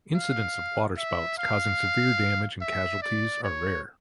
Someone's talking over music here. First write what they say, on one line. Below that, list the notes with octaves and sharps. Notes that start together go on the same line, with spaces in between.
Incidents of waterspouts causing severe damage and casualties are rare.
F5
E5
F5
E5
D5
C#5